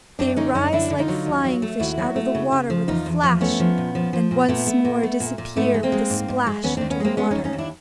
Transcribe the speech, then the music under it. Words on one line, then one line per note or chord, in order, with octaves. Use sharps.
They rise like flying-fish out of the water with a flash, and once more disappear with a splash into the water.
F#2 C4 D4
D3 C#4 D#4
F#2 C#4 D#4
D3 D4 E4
D3
D#4 F4
F#3
D#2
F#3
A3
D#2 E4 F#4
F#3
A3
C#3
C#3
F3
E2 D#4 F4
E2
F3
A3 B3 C#4
F3
A#2
F3
F3
A#2
A#2 A3 B3
A3
A#2
A3
A#2
A#2
G#2 A3 B3
G#3
A#3 C4
G#3
G#2
G#2
G#3
D#2 B3 C#4
D#2 C4 D4
B3 C#4
G#3 A#3 C4
G#3 B3 C#4
C#4 D#4
D#2
C#4 D#4
D#2
D4 E4